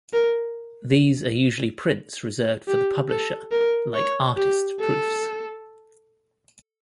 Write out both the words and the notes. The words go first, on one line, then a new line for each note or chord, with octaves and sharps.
These are usually prints reserved for the publisher, like Artist's Proofs.
A#4
G4
A4
A#4
C#5
G4
A4